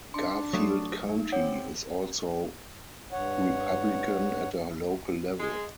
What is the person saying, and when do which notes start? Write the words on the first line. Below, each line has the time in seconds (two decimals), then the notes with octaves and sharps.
Garfield County is also Republican at a local level.
0.14 D4 C6
0.53 F#3 A3 C#6 D#6
1.09 D#4
1.32 C4 C#5 F#5
3.12 G2 C#5 F#5
5.39 G#3